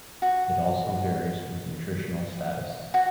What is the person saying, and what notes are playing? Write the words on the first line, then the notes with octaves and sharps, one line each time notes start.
It also varies with nutritional status.
F#4
F#4